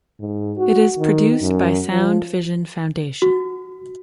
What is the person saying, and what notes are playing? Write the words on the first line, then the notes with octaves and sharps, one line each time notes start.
It is produced by Sound Vision Foundation.
G#2
F#4
D#3
F#2
F3
F#4